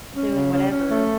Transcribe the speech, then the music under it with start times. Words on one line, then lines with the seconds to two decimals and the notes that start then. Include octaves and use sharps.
doing whatever,
0.15 C#4
0.34 C#3
0.54 C#4
0.72 C#4
0.91 A3